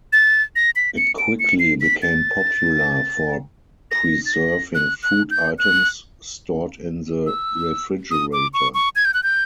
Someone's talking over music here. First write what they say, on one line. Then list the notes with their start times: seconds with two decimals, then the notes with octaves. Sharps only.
It quickly became popular for preserving food items stored in the refrigerator.
0.13 A6
0.56 A#6
0.76 B6
0.97 C#7
1.18 D7
1.39 C#7
1.59 C7
1.81 B6
2.02 A6
3.91 A#6
4.26 A6
4.34 A#6
4.75 F#6
5.03 F#6
5.31 G6
5.58 F#6
7.26 E6
8.11 D#6
8.33 D6
8.54 C#6
8.74 C#6
8.96 G#6
9.05 G6
9.14 F#6
9.23 G6